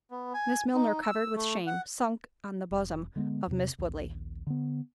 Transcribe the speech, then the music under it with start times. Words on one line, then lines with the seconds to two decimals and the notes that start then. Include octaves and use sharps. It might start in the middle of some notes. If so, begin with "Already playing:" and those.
Miss Milner, covered with shame, sunk on the bosom of Miss Woodley.
0.11 B3
0.34 G#5
0.74 D#4
1.02 E6
1.35 A3
1.67 F#5
2.71 F1
3.16 D3 G#3 A#3 B3
3.47 E2 C3
3.78 A#1 D#2
4.47 D3 B3